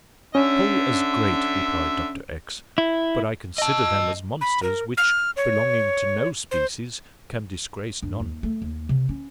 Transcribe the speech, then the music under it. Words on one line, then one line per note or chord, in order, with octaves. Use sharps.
"Full as great," replied Dr. X----; "but I consider them as monsters, which belonging to no species, can disgrace none."
D3 C#4 E5
E4
D#5 A5 E6
B5
A#4
F6
C#5
C5
G2
D#2
A3
D#2
C3
C#4